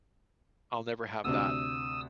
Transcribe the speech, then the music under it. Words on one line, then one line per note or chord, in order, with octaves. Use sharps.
I'll never have that.
D2 C3 D4 D#6 E6